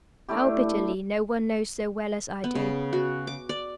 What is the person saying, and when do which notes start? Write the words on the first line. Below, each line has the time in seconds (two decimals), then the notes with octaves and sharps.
How bitterly no one knows so well as I do.
0.29 A3 D4 E4 G4
2.44 B3
2.55 C#3
2.93 F#4
3.27 D6
3.49 D5